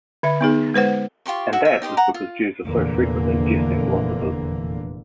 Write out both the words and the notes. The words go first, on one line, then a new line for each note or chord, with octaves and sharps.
And that is because Jews are so frequently jesting philosophers.
D3 E5
B3 D#4 G#4
G#3 B4 C5 F#5
F4 G4 C6 C#6
F#4 G#4 E5
E5
D#4 G4 D#5 C6
F#5 A#5
F4
F1 E2 A#2 D3 E3 A#3